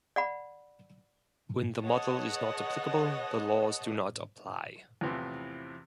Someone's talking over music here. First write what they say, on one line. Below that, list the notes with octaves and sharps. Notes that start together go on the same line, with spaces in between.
When the model is not applicable, the laws do not apply.
D5 F#5 B5
G#4 B4 C#5 D#5 F#5 A5
E2 A2 C3 E3 F3